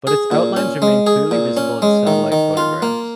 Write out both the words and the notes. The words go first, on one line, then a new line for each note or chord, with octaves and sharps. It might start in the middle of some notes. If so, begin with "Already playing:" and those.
But its outlines remain clearly visible in satellite photographs.
G#4
A#2
C#4
G#3
G#4
A#2
C#4
G#3
D#3
D#3
F4
A#3